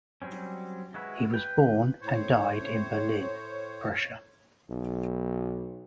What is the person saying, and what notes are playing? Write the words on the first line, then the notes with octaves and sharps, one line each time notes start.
He was born and died in Berlin, Prussia.
F#3 G3 C4 C#4
G#3 E4 F#4 B4
B4 G5
A2 C5 C#5
B1